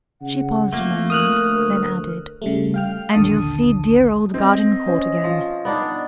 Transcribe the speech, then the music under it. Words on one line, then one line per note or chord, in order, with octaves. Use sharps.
She paused a moment, then added: "And you'll see dear old Gardencourt again!"
C#3 F#5
F2 A3 A#3
A#4 D#6 F6 F#6
D2
C#3 G3 A3
F5 G5 F6
A#1 D#2 D3 A5 D#6
C4 D#5
C#4 C5
F3
B3 D4 D#4